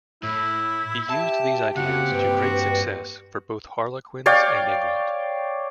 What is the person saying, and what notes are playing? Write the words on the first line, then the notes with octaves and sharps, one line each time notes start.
He used these ideas to great success for both Harlequins and England.
A2 E4
G4 E5 A5
C#3 A#3 C4 F#4 G4 F#5
G2 B4
F#4
C#5 D5 F5 G5